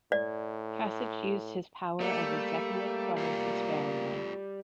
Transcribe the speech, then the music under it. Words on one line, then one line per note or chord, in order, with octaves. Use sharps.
Kasich used his power of executive clemency sparingly.
A2 D5
G3 A3 A#3
A3 F4 G#5